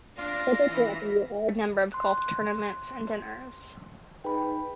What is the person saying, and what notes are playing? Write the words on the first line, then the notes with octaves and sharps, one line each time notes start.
Scheduled throughout the year are a number of golf tournaments and dinners.
D4 F4 A#6
E3
C6 F#6
D#4 G#4 B4 G5 B5